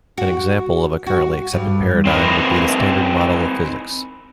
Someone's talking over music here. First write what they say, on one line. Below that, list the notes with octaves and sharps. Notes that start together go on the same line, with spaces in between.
An example of a currently accepted paradigm would be the standard model of physics.
F#4
F#4
G2
C4 D#4 E4 F#4 A#4 B4